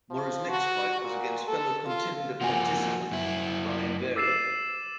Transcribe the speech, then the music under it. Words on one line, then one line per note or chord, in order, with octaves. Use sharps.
Mora's next fight was against fellow Contender participant Brian Vera.
F3
F#4
A#2
A4
F4
F3 A#3 F#4 F#5 G#5
F#2 E4
D6 E6 A6 C7 D#7 E7